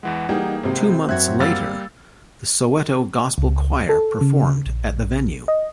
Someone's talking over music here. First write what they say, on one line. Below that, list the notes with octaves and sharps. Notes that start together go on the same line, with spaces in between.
Two months later, the Soweto Gospel Choir performed at the venue.
E2 E3 G#3 F#5
E3 G3 A#3 D#4 G#4 G5
G#1 C3 C4
F#2 F#4 E5 F#6 G#6
G3 A#3 F5 E6 A6
C#2
A4
C#3
A#1
D#5